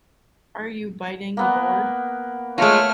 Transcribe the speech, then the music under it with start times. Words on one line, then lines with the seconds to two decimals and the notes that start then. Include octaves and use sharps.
Are you biting the board?
1.37 A#3 B3 F#5
2.58 G#3 A3 F4 C#5 F6